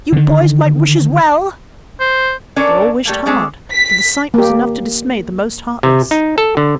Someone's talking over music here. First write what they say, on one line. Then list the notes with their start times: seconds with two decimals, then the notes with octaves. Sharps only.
You boys might wish as well!' They all wished hard, for the sight was enough to dismay the most heartless.
0.12 D3 D#3
2.00 C5
2.56 C#4 D4 A4 A#4 D5
3.05 G3 A3 A#3
3.26 G#3 A3 C4 D5
3.73 B6
4.34 A#3 G4
5.83 C3
6.11 D#4
6.38 A4
6.57 D3